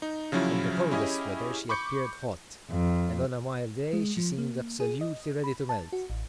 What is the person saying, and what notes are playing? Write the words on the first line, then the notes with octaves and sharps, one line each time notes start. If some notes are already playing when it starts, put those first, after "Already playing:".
In the coldest weather she appeared hot, and on a mild day she seemed absolutely ready to melt.
D#4
C#3 F3 F#3 C#4 E4
C#4 E4 G4 G#4 C#5 D#5
B5 C#6 D6 G6 C#7
F2
G#3
F3
A#3
G#4
D#5
B5
A5
F#4
A1